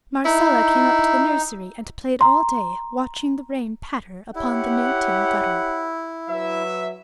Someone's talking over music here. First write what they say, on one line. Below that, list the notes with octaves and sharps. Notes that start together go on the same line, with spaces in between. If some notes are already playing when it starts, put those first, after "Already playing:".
Marcella came up to the nursery and played all day, watching the rain patter upon the new tin gutter.
D#4 E4
A#5 C6
E4 G4 C#5 F#5
F#3 B4 E5